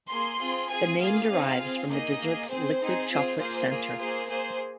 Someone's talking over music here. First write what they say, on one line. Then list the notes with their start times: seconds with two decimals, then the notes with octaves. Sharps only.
The name derives from the dessert's liquid chocolate center.
0.09 A#3 G#4 C6
0.39 C4 F4 G#4
0.69 C4 F4 G#4 G#5
0.99 A#3 F4 G#4 F5
1.29 C4 D#4 G#4
1.59 C4 F4 G#4
1.89 A#3 D#4 G#4 D#5
2.19 A#3 G#4
2.48 C4 G#4 C5
2.78 C4 D#4 G#4
3.09 C4 F4 G#4
3.38 A#3 F4 G#4 C5
3.68 A#3 F4 G#4
3.99 A#3 G#4 C5
4.28 A#3 G#4 C5